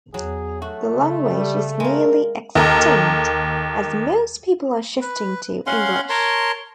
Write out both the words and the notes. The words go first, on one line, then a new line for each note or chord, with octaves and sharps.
The language is nearly extinct, as most people are shifting to English.
E2 F#3 G#4
A3 F#4
C#3
G3
G#3 A#3 A#4
D#2 A4 A#4
B4
C#4 F5 F#5 C6
A#4 C#5 A5 C6